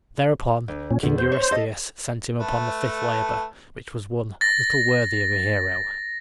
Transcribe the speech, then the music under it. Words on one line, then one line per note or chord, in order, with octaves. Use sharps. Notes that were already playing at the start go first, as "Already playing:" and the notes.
Thereupon King Eurystheus sent him upon the fifth labor, which was one little worthy of a hero.
D2
A#2 C#4
E2 D3
C5
C#5
A4 D#5
A3 A4 B4
A6 A#6